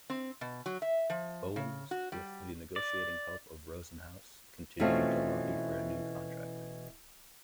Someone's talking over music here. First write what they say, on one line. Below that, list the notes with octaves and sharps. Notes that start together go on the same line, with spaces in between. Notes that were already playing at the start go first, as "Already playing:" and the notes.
Owens, with the negotiating help of Rosenhaus, continued to lobby for a new contract.
C4
B2
F#3
E5
F3
C#3
F#4
G3
D5
B2 E3 A3 C4 C#4 F4